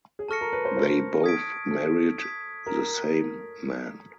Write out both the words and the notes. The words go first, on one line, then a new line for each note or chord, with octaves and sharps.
They both married the same man.
G#4
A4 A5 C#6 F6 A#6 C#7
A#4
B4
C5
C5
D#6 G#6 B6 D7
A4
D#6 G#6 B6
A#4